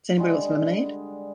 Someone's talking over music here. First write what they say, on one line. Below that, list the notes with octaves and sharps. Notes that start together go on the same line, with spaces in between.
Does anybody want some lemonade?
D3 G3 G#3